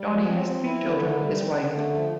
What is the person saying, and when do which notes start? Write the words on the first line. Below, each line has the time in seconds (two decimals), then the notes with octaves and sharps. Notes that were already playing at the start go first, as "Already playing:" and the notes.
Johnie has three children with his wife.
Already playing: G3
0.10 F3
0.27 C4
0.47 C4
0.65 E4
0.83 D3
1.02 A3
1.20 G3
1.39 C4
1.56 D3
1.75 A3
1.94 F3